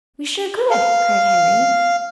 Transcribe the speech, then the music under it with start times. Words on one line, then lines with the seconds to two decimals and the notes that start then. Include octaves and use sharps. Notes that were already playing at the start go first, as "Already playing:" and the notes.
"We sure could!" cried Henry.
0.71 F5